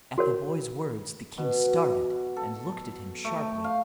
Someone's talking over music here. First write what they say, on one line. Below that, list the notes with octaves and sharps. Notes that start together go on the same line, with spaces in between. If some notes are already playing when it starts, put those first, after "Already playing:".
At the boy's words the king started and looked at him sharply.
F#4 A#4 C#5
B2
A4
A3
F5